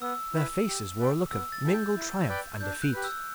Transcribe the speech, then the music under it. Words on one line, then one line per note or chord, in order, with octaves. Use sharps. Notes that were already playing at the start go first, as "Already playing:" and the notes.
Their faces wore a look of mingled triumph and defeat.
B3 E6
E4 B4
G4
B4 D5 G5
B3 E6
A6
E4 A4 E5 G5
G6
E4
B4 D5 G5
D4 G6
F#6
G4 B4
E6